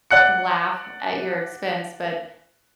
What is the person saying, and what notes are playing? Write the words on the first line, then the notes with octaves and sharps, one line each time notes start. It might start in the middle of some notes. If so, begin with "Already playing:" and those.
laugh at your expense, but
D5 F#5 F#6 C#7